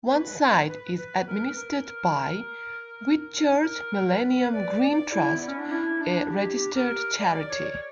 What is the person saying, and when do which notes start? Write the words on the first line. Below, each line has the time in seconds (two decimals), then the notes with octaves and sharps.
One site is administered by Whitchurch Millennium Green Trust, a registered charity.
0.08 B4
0.68 B4
0.97 B4
1.27 A#4
1.55 A#4
3.63 A#4
4.07 B4
4.52 D5
4.82 D5
5.12 E4
5.35 B3
5.47 C#4
5.58 D4
5.71 E4
6.01 D4
6.30 G4
6.75 A#4
7.18 D5
7.49 C#5